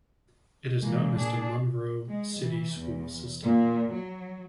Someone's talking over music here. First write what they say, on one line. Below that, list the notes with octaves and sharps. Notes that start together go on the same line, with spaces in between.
It is known as the Monroe City School System.
E3 G#3 A#3
A#2 D4 G#4
G#3
E3
E2
A#2
F#3